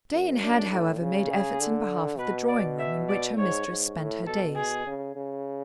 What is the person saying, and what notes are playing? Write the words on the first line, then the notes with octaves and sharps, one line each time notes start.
Jane had, however, made efforts in behalf of the drawing-room, in which her mistress spent her days.
F#2
D4
A2
C#3
G#4
D3
B2 B4
D5
E5
D5
G#2 C#5
G#2
A2
B2 A4
G#4
C#3
C#3